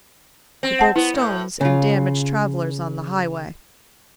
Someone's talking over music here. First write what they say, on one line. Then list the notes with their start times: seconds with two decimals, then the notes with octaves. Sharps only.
He broke stones and damaged travellers on the highway.
0.63 C4
0.79 F#5 A5
0.96 B3 E4
1.14 A2
1.61 C#3 F4